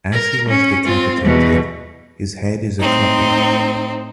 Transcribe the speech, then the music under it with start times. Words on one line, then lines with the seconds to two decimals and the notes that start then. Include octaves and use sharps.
As he was decapitated, his head is a copy.
0.13 A#4
0.50 C#4
0.85 C4 F4
1.21 E2 B2
2.80 A2 C4 D#4